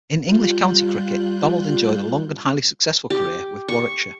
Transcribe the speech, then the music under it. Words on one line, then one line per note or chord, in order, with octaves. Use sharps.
In English county cricket, Donald enjoyed a long and highly successful career with Warwickshire.
G3 F4 F#6 G6
G4
C#6